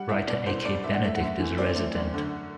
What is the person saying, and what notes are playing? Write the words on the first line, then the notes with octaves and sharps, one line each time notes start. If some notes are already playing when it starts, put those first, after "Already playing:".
Writer A. K. Benedict is a resident.
Already playing: G3 F#5
C2 E5
B2 D5
C2 C5
G3 D5
C2 E5
F#5
A3 E5
F#5
F#2 E5
E3
C4 D5
A3
F#2
D3